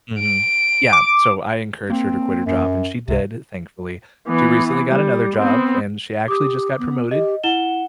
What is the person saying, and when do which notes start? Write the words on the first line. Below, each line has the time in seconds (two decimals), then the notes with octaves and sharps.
Mhm, yeah, so I encouraged her to quit her job, and she did, thankfully. She recently got another job, and she actually just got promoted
0.19 D7
0.93 D6
1.90 A#3 C4
2.46 F#2
3.08 C#2 C3
4.28 E3 B3
4.89 G3
5.37 B3 C4
6.28 G4 D6 D#6
6.79 B3
7.11 G4 D#5
7.44 E4 F#5 E7 G7